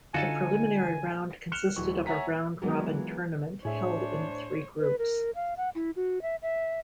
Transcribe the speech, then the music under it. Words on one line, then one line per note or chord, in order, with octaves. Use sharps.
The preliminary round consisted of a round-robin tournament held in three groups.
D3 D#4 F4 F#4 A4 G#5 A5
F6 F#6 C#7 E7 F7 G7
D1 E3 F#3 C#6
C#5 E5 F#5 G#5 A#5 B6
E3 F#3 G#3 A#3 B3 F4
A2 D4 G#4 C5 C#5 E5
B4
A#4
F5
F#5
E4
F#4
E5
E5